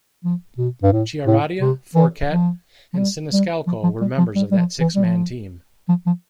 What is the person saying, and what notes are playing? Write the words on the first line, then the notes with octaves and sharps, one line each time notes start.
Chiaradia, Forquet, and Siniscalco were members of that six-man team.
F3
B2
G2
A2
A2
C3
E3
F3
F3
G3
G3
F3
F3
G3
F3
G3
G3
F3
E3
G3
F3
F3
F3